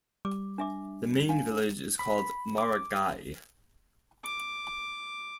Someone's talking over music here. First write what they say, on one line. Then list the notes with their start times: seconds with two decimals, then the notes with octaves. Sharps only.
The main village is called Maragai.
0.25 G3 D6
0.58 D4 E5 D6
1.29 D4 F5
1.99 B5
2.58 D6
4.25 D6